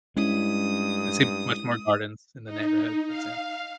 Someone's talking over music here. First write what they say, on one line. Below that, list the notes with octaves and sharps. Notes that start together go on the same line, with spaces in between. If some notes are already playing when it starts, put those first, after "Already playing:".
I see much more gardens in the neighborhood, for example.
G2 G#3 C#4 E4 D#6
D#4
F5